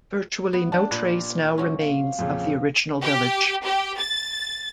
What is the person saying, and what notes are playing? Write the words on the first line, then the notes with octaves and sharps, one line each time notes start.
Virtually no trace now remains of the original village.
B3
D4 G4 A5
A#2 B4 D5
C3 F#3 C#4
F5
F2 A#2 C#3
G4
G4
A6